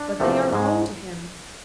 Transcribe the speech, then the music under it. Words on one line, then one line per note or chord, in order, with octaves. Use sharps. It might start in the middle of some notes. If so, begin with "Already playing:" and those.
But they are home to him!
Already playing: D4
E2 C3 F3 A3
G#2 G#3